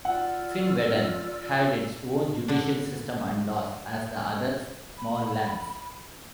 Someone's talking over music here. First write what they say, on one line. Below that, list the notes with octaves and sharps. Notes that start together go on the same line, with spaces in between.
Finnveden had its own judicial system and laws as the other "small lands".
F4 D5 F#5 E6
D3 D4
B5